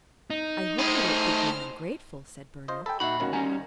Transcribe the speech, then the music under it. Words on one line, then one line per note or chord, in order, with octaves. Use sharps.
"I hope you don't think me ungrateful," said Bernard.
D#4
A2 G#4 C5 F6
F4 C5 D#5
A4 G5 G#5 B5
A#2 D#4 F#4 E5 F#5 B5
G1 D#3 C#4 F#4 F#5
G3 C#4 G#5 A#5